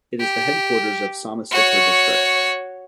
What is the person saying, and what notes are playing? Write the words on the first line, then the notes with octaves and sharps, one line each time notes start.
It is the headquarters of Samastipur district.
G4
F#4 C#5